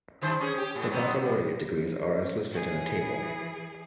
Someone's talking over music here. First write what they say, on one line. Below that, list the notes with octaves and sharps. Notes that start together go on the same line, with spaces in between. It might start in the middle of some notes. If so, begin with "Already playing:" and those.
The baccalaureate degrees are as listed in the table.
G2 D#3 C5
C#4 G#4
G4
A2
F#3 B3 C4
G3
E3 G#4